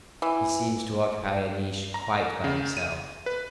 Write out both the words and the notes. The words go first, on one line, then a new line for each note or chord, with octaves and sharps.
He seems to occupy a niche quite by himself.
E3
A#5
C#3
D#7
B4